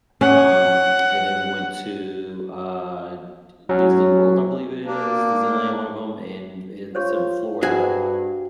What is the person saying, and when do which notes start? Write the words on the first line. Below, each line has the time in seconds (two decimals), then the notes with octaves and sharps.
Um, and then we went to, uh, D Disney World, I believe it is, Disneyland, one of 'em, and in it's in Florida,
0.21 C#4 F#5
3.69 F#3 C#4
4.84 A#3 D4
6.95 F4 C5 C#5 C#6
7.63 G2 F#4 G#4 C5 F#5 G#5